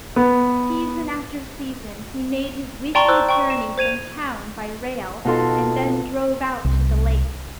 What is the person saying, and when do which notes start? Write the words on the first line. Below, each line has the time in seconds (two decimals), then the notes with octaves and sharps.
Season after season he made his weekly journey from town by rail, and then drove out to the lake.
0.16 B3
2.95 D5 G5 A5 A#5 C6 C#6
3.08 C5 E6 F#6
3.29 G5 C#6
3.50 E7
3.78 C5 G#6 D#7 F7
5.25 B2 D#4 F4 A4 C6
6.65 C2